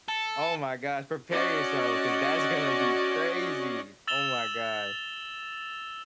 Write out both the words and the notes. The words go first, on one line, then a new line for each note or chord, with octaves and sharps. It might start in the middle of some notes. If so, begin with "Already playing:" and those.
Oh, my gosh. Prepare yourself 'cause that's gonna be crazy. Oh, my gosh.
A4
C#4 F#4 D5 D#5
E6 A6 E7 F7 G7